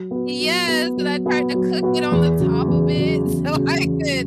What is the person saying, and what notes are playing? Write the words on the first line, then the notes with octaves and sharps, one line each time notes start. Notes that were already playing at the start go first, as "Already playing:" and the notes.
Yes, and I tried to cook it on the top of it, so I could
Already playing: F#3
B3 F#4
F#3
B3 F#4
F#3
B3 F#4
F#3
B3 F#4
E2
C#3 F#3
E2
C#3 F#3
E2
C#3 F#3
E2
F#3